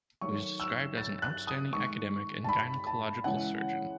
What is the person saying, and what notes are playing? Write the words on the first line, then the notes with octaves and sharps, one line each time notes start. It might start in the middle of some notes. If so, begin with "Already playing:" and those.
He was described as an outstanding academic and gynaecological surgeon.
D#3 F#3 A3 C#6
E6
A6
F#6
D#6
D#3 G#3 C#6
A5
B5
A5
C#3 E3 G#3 F#5